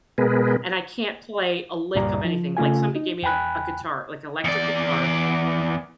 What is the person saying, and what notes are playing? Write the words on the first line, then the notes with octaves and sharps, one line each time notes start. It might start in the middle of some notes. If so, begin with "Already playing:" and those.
and I can't play a lick of anything. Like somebody gave me a a guitar- like electric guitar.
B2 G#3 B3 G#4 A#4 B4
C#2 G2 A#2 G3 D5 A#5
F3
C#3 A3 F4 G#5
D#4
E2 G5 G#5 B5 F#6
E2 D5